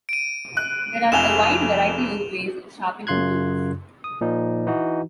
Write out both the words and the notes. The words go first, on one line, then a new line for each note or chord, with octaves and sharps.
There are a wide variety of ways of sharpening tools.
D7 D#7
F#6
F1 F2 G#5 E7 F7 G7
F#2 C#3 F4 C6 F#6 G#6
D#6
A#2 F3 D#4
E3 D#4 F#4